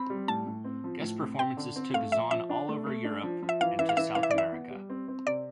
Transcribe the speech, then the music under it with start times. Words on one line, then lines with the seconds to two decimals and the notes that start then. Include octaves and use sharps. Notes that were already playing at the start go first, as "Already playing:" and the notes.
Guest performances took Zaun all over Europe and to South America.
Already playing: C4 B5
0.10 G3
0.28 A2 A5
0.46 A2
0.64 C4
0.84 F3
1.01 A2
1.20 C4
1.39 C4 G5
1.57 D3
1.76 C4
1.94 A3 F5
2.12 F3 E5
2.31 F3 E5
2.49 D4
2.68 A3
2.86 A3
3.05 D4
3.23 F3
3.42 F3
3.49 E5
3.61 E3 F5
3.79 E3 E5
3.89 F5
3.97 E3 E5
4.15 E3 F5
4.23 E5
4.31 D5
4.34 E3 E5
4.52 B3
4.70 G3
4.89 C4
5.08 C4
5.26 C3 D5